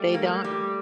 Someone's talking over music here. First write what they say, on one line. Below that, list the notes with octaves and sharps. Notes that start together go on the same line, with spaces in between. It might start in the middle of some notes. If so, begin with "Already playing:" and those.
They don't.
Already playing: G3 A3
A#3
G3